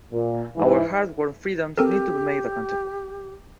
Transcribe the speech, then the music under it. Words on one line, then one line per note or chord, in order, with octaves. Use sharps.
Our hard-won freedoms need to be made accountable!
A#2
G#2 E3
C4 G4 A4 A#4